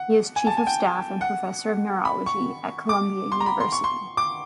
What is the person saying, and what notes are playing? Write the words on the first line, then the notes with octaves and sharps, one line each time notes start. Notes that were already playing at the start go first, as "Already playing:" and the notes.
He is Chief of Staff and Professor of Neurology at Columbia University.
Already playing: F#5
G#5
A5
G#5
G5
F#5
B5
C#6
D6
C6
A#5
B5
C6
C#6
C6
D6